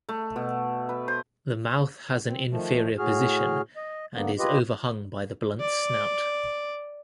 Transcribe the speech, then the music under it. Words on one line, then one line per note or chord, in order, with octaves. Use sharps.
The mouth has an inferior position and is overhung by the blunt snout.
A3
B2
B4
C5
C4
D#3 F3 A3
A2 F#4 G#4 F6
D#5
D3 A#3 B3
F4 G4 B4 D#5
D5